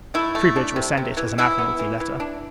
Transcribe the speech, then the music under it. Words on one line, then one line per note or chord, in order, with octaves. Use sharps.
Troubridge will send it, as an Admiralty letter.
A3 E4
A3
D4
C3
C3
E3
E3 E4
B3
E3
E3
D4